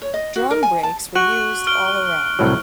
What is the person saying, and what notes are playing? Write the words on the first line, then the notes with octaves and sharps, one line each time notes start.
Drum brakes were used all around.
C#5
D#5
F#4
A#4
G#5
A5
F#4 C#6 F#6 F#7
F6 D7 G7
C2 A2 F#3